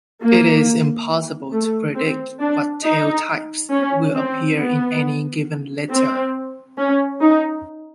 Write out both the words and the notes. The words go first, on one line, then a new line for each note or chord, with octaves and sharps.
It is impossible to predict what tail types will appear in any given litter.
A#3
A3
C4
D4
D#4
C#4
C4
B3
C4
C#4
D#4